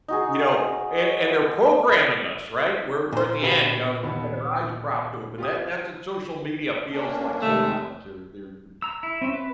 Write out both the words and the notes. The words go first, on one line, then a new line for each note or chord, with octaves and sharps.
you know, an and they're programming us, right, we're we're at the end, you know, we've got our eyes propped open, that that's what social media feels like sometimes, they're they're the
D#4 F#4 G#4
A#2 C5
B2 D3 G4
D#2 B3
F4 G4 D#6
A#3 C#4 D4
C3 D#3 G#3 A3
A#5 E6
E4
C4 C#4 E5
B4